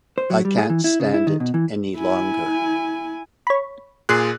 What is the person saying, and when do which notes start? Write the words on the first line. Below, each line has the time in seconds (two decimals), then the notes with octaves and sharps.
I can't stand it any longer.
0.18 C5
0.30 F#3
0.45 G3
0.58 G#4
0.70 E3
0.84 E4
1.00 C#3
1.14 E4
1.27 D#3
1.40 B2
1.54 E3
1.96 E4 G#5
3.47 C#5 B5
4.09 A#2 G#4 C6 F#6